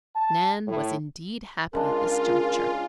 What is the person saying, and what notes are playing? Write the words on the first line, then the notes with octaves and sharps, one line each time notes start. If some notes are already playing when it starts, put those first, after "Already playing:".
Nan was indeed happy at this juncture.
A5
A2
C#3 G#3 D4 F4 A#4